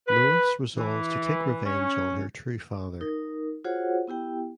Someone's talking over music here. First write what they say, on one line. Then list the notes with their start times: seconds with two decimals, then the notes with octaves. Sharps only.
Lois resolves to take revenge on her true father.
0.08 B4
0.77 E3
1.65 C#4
3.01 D#4 A#4
3.64 F4 F#4 G#4 C5 C#5 F#5
4.07 B3 E4 G4 G5